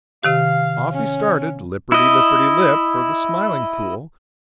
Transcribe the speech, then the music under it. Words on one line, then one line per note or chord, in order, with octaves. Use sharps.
Off he started, lipperty-lipperty-lip, for the Smiling Pool.
C3 D#3 G4 F5
C#4
E4 D#5